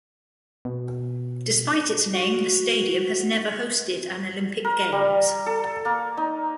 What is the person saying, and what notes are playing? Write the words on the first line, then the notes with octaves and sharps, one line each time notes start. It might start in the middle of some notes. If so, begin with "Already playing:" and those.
Despite its name, the stadium has never hosted an Olympic Games.
B2
F#4
A#4
G3
A4
A#3
D#4